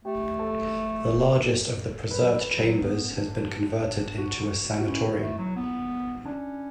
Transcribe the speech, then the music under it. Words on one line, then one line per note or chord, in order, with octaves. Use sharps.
The largest of the preserved chambers has been converted into a sanatorium.
A3 G4
A4
F#3 B4
F#3
B3
C#4
D4
F#4
F#4
C#4 E4
A3
F#3
B3
C#4 D4